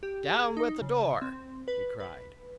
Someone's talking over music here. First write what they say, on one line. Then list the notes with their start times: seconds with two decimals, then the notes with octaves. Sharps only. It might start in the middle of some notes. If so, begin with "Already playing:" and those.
"Down with the door!" he cried.
0.03 G4
0.35 G#4
0.57 D#4
0.81 C#3
1.22 C4
1.68 B4
2.00 B4